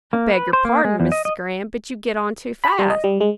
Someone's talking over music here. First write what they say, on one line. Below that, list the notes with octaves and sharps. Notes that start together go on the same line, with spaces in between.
'I beg your pardon, Mrs. Graham--but you get on too fast.
A#3
B4
C5
A#3
G#3
E2
D#5
D#5
B5
G3
D#5
G3
G#3